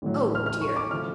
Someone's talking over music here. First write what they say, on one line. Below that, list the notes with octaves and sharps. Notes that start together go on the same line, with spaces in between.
Oh dear!
A1 A2 F#3
F6
F6
C#6
D6
C#3 F3 A3 F6